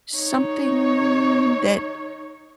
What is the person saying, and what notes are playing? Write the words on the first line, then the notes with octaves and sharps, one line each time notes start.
something that
D#4 C#5